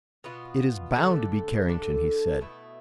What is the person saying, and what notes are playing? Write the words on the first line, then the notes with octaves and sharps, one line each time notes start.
"It is bound to be Carrington!" he said.
B2 B3 F4
D3 A3 D4 A4
D3 A3 D4 A4
B2 A3 E4